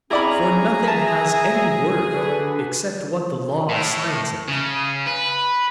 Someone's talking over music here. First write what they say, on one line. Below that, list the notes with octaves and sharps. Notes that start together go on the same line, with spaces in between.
For nothing has any worth except what the law assigns it.
C4 C#4 E4 G#4 D5 A#5 B5
E5 G#5 A5
D3 D4 F#4 B4
A2
C#3
B4